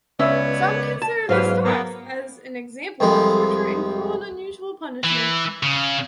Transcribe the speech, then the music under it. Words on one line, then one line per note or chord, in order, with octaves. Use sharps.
Some consider the stocks as an example of torture and cruel and unusual punishment.
C#2 B3 C#4 C#5 D5 E5
A5
E2 G#2 C#3 F#3 B4 F5
A#3 B3
C2 F2 G#3
E3
C#3